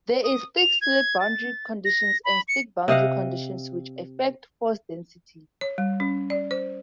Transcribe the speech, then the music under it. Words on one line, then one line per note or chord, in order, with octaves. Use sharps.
There is stick-slip boundary conditions and stick boundary conditions which effect force density.
D#6
F7
G#6
A6
A#6
B5
C#7
C3 D#5 F5 F#5
C#5
G3
C#4
D5
C5